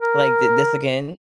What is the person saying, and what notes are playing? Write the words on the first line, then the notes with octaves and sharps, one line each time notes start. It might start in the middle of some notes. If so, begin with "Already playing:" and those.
Like, "Thi this again?"
A#4